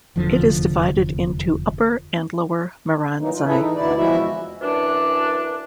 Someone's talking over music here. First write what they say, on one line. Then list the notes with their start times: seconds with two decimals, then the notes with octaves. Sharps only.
It is divided into upper and lower Miranzai.
0.16 F1 E2 D3 F3
3.20 A#2 E3 F#3 A#3 D#4
3.32 F4
3.46 G#2 E4 G#4 A4 B4 E5
3.59 E3 D#4
3.75 D2 B2 D3 E4 D5
3.97 E2 F3 G#3 E4 F#4 E5
4.62 F#2 E3 D4